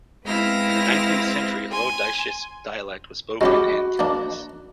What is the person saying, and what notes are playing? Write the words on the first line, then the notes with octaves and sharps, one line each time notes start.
In the nineteenth century a Low Dietsch dialect was spoken in Kelmis.
G#3 B3 C4 E4 F5 A#6
G#5 C6
G#3 C#4 F#4 G4 D#5 B5
A#3 D4